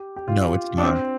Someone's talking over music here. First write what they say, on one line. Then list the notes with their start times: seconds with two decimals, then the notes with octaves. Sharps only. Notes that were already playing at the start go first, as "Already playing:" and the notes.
No, it's not.
Already playing: G4
0.16 G4
0.28 F4
0.78 D4
0.83 C4